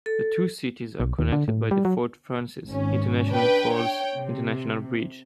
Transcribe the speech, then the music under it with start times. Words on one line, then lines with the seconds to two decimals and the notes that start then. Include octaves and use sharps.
The two cities are connected by the Fort Frances - International Falls International Bridge.
0.06 A4
1.00 B1
1.19 D#2
1.32 D3
1.48 A2
1.71 G3
1.85 F#3
2.66 G#1 C#4
3.30 D4 B4 G5
3.76 C#5 G5
4.17 C3